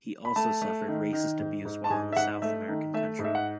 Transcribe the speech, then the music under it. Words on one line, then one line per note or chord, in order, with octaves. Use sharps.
He also suffered racist abuse while in the South American country.
B5
A3 A5
A3
D#3
D#3
G#2
G#2
A5
G#2 G#5
E5
G#2 F#5
A3 E5
D#3
A3 E5
G#2
E5
F#5